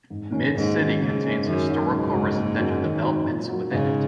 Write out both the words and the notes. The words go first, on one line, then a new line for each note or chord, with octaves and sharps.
Mid-City contains historical residential developments within it.
G#2
D#3 A#3 C#4
D#2 G#2
D#3 G#3 C#4 F#4
G#2 C#3
A#3 C#4
F#2 D#3
F#3 D#4 F#4 C#5
C#2 G#2
C#3 G#3 F#4
F#1
F#2 F#3 C#4
D#3
F#3 D#4
A#2
F#3 A#3 F#4
G#2 C#3